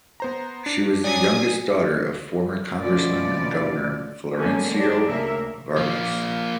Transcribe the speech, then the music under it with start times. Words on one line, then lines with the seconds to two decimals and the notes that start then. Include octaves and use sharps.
She was the youngest daughter of former Congressman and Governor Florencio Vargas.
0.20 B3 C5 A#5
0.66 D4
1.04 F#3 D5 G#5 D#6
2.82 D2 B2 F3 C#4 D5
4.38 D3 F#3 G#3 A#3 B3 C#4
4.74 F#3 D4 G4
5.06 D2 C#3 A#3 A#4 E5
5.77 F3 A#3